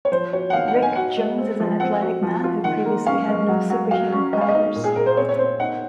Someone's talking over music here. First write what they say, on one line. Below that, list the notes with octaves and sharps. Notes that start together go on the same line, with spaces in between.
Rick Jones is an athletic man who previously had no superhuman powers.
C#5
F3 C5
F#4 C#5
F#5
D#3 F5
F#5
D#4
G#5
F#4 F#5
G#3
C4
F3
C4 F#5
F#4
F3
F4
D#3 F#5
A#3
C#4 F5
G#3
F#3
F#3
F#4 F5
C#4
G#3 D#5
F5
D#5
D#4
A#2
G#4
A#2 A#4
C5
C4 C#5
C#5
C4 C5
D#4 F#5